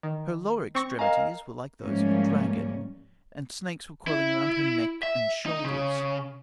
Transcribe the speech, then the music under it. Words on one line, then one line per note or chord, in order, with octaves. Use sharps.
Her lower extremities were like those of a dragon, and snakes were coiling round her neck and shoulders.
D#3
C4 C#6 A#6
A#4 D#5 F5 G#5 A#5
G#2 F3 G3 A3 A#3 C#4
E4
E5
D#4
C#3